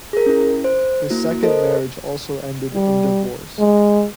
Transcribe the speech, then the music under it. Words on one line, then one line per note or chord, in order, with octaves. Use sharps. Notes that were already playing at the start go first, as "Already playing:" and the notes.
His second marriage also ended in divorce.
G#4 A#4
C#4 E4
C5
A#3 E4 F#4
A4 A#4 C5 D#5
G3
G#3